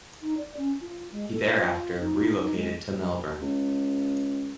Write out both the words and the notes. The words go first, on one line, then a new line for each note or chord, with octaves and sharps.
He thereafter relocated to Melbourne.
D#4
D5
C#4
F4
G#3
A4
F4
D#4
D#4
G#3
C#2